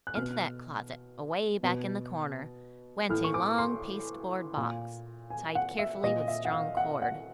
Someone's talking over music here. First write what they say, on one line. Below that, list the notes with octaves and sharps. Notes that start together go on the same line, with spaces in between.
Into that closet, away back in the corner, went a long pasteboard box, tied carefully with strong cord.
F#6
B2 F6
B2
A2 E3 F6
C#6
D6
C6
A#2
G#5
F#5
E5
A#2 D#5
E5
F#5
F5
F#5
F#5